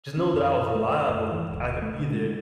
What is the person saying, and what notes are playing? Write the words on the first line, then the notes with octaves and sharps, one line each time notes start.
just knowing that I was reliable and I could be there,
C#4
F#2
A3
F#2
E3
D1
A3
D3
G#3